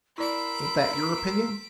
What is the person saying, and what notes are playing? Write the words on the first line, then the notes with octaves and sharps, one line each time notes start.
Ain't that your opinion?'
E4 A#4 D5 B5 C6 E6 B6 D7